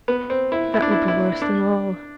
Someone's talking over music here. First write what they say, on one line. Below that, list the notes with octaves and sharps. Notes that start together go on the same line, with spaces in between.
That would be worse than all.
B3
C4
E4
E4
D4
E4
E4
D4